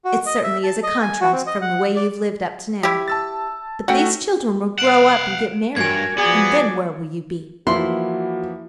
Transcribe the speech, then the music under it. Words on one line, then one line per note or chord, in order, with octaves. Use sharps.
It certainly is a contrast from the way you've lived up to now. But these children will grow up and get married, and then where will you be?
F#4
D#5
E5
A5
D#5
G#5
F#4
C4
D#5
F#5
D5
E4 G4
A5 E6 A6
A3 C#4 F#4 F#5 G5
F5 F#5 D7 E7
G2 F#4 A#4 C#5 G#5 G#6
F3 B3 F#4 G#4 D5
E3 F3 A#3 E4 F#4 C6